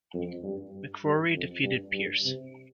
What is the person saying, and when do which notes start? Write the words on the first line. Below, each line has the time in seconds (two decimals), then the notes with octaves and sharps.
McCrory defeated Pearce.
0.14 F2
0.43 G2
0.73 G2
1.04 G2
1.34 F2
1.63 G2
1.93 G2
2.24 C3